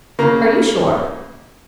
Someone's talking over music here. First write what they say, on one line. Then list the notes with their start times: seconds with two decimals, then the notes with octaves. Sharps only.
"Are you sure?"
0.19 C#3 A#3 A#5